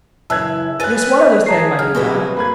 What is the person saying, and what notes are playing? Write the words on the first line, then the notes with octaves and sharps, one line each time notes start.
Yes, one other thing might be done.
F#2 C#3 E3 A5 E6 F#6 G#6
C4 C#4 G#4 B4 F#6 A6 D#7
G#4 A5 A#5 C7
F#3 F6
B2 F#3 G3 C4 B4 C5
A#3 B4 B5 G#6